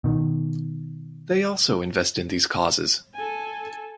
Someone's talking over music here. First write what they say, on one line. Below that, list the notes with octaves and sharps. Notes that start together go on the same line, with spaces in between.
They also invest in these causes.
B2 D#3
A4 G#5